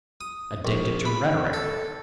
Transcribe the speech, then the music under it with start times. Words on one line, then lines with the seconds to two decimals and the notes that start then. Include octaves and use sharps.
Addicted to rhetoric.
0.21 D#6
0.65 A#1
1.05 B5
1.53 A4